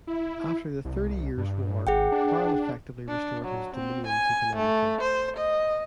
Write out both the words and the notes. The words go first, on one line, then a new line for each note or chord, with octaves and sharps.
After the Thirty Years' War Karl effectively restored his dominions economically.
E4
C2
G2
G#1 G#4 F#5 G5
D4
D4
F#3
C4
G#5
A3
C5
D#5